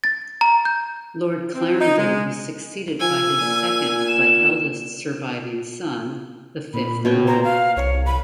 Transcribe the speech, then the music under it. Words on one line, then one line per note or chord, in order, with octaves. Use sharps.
Lord Clarendon was succeeded by his second but eldest surviving son, the fifth Earl.
A6
A#5
G6
C4
D#4
G#3
F3 G#5 E6
A#2
E7
A#2 B5
B2 C#5 G5
C5 A#5
F5
C2 C#5
B5